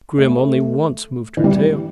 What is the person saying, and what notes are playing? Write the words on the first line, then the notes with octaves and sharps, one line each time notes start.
Grim only once moved her tail.
A3
E3
G3